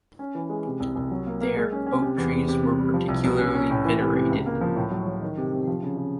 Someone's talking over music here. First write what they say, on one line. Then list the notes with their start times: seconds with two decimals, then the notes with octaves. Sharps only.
There, oak trees were particularly venerated.
0.19 C#4
0.35 E3
0.49 G#3
0.66 C3
0.80 C2
0.96 C2
1.11 F#3
1.27 A#3
1.41 A#3
1.56 G#3
1.72 C#4
1.86 C#4
2.02 C3
2.18 E2
2.32 E2
2.48 C3
2.63 C3
2.79 G3
2.94 F3
3.08 C2
3.24 C2
3.39 C#4
3.54 C#4
3.70 A2
3.85 E3
4.00 C3
4.15 C3
4.30 C#2
4.46 A#3
4.61 F3
4.76 A2
4.92 F#3
5.06 F#3
5.22 D#3
5.38 C3
5.53 C3
5.67 F3
5.83 C#3
5.97 C#3